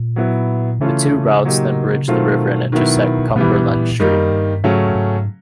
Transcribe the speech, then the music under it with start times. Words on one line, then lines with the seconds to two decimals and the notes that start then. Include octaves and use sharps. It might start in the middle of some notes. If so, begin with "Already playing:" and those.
The two routes then bridge the river and intersect Cumberland Street.
Already playing: A#2
0.16 F#3 B3 E4
0.80 C#3 E3 A3 C#4 F4
1.44 A#2 F#3 A#3 D#4 G4
2.08 B2 D#3 F#3 A3 C4 F4
2.72 D#3 F#3 B3 E4
3.36 B2 E3 G3 B3
3.68 A#2
4.00 F#2 D#3 G3 A#3 D#4
4.31 G2
4.64 G#2 C#3 F#3 A3 C#4
4.95 G#2